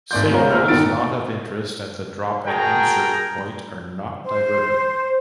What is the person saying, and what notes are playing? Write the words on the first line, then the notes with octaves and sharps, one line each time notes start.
Signals not of interest at the drop-and-insert point are not diverted.
G#1 D2 D5 C6 G6
G#3 B3 C#4 F4 A#4 C5
A#2 A#5 E6 F6
G1 D#3 B3 A6 D7
F#4 G#4 A#4 G5 A5 A#5
C5